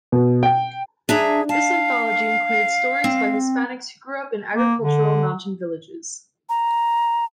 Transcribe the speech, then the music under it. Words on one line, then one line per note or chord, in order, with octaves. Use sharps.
This anthology included stories by Hispanics who grew up in agricultural mountain villages.
B2
G5
D4 G#4 E5 A#5
F5 A5
C4
A#3
D3
A#5